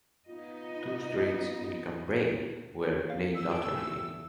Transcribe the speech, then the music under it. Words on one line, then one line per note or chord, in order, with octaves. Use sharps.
Two streets in Cambrai were named after him.
B3 D#4 F4 D#5
F5
E6
G#4 A4 G5
A2 C#3
E2